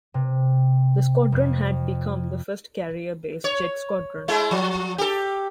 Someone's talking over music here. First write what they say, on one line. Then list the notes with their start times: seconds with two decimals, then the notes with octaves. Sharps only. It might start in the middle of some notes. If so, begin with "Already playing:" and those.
The squadron had become the first carrier-based jet squadron.
0.14 C3
1.32 F2
3.44 C#5
4.28 G#3 A3 E4
4.51 F3
4.98 G4 A4